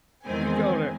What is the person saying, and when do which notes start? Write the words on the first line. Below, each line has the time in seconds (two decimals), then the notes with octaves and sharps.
you go to
0.24 E2 D#3 G#3 C4 G#5